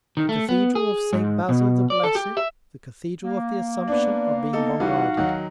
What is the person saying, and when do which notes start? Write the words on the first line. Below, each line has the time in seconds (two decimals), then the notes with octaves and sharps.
The Cathedral of St. Basil the Blessed, the Cathedral of the Assumption, are being bombarded.
0.17 D#3
0.29 A3
0.49 B3
0.75 G#4
1.13 G#2
1.49 B2
1.90 D5
2.04 A4
2.15 G4
2.37 E5
3.23 A#3
3.88 B3 D4 D5
4.53 B3 D#4 A4
4.80 E3 G3 D#4 F#4 F5 F#5
5.17 D#3 F#3